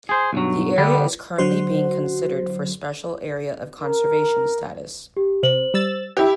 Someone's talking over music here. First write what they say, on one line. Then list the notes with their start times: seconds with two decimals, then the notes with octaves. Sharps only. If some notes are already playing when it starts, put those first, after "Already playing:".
The area is currently being considered for Special Area of Conservation status.
0.09 G#4 C5
0.33 B1 G2 F#3
0.78 D3 G3 B3
1.38 D3 F#3 F#4 C5
3.82 A#4
5.17 G4
5.43 C3 C5 F#7
5.74 G3 E6 A6
6.17 E4 G4